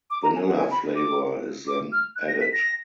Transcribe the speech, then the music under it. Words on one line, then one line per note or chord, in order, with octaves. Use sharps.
Vanilla flavor is then added.
D6
A#5
G#5
F#5
G#5
B5
D6
D6
F6
F#6
A#6
B6
A#6